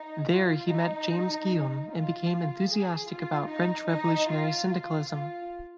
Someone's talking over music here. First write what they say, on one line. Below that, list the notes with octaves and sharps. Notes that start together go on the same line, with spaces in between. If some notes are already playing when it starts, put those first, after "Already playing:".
There he met James Guillaume and became enthusiastic about French revolutionary syndicalism.
Already playing: D#4
F4
D#4
F4
G#4
F4
D#4
D#4
F4
F4
F4